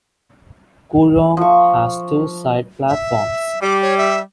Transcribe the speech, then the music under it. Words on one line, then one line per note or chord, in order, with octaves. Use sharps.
Kooyong has two side platforms.
F3 C#6
E5
G3 D6
C#5
E5